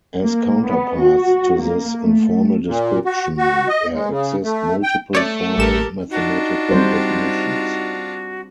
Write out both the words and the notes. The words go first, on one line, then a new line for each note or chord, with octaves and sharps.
As counterparts to this informal description, there exist multiple formal, mathematical definitions.
A#3
B3
F#4
A#3
A3
A#2
F#4
F#4
D#5
G#3
C#3
A3
G5
A3 C#5 D5
A1 G4 A4 A#4 E7
D4 D#4 F4 F#4
G3 C4 C5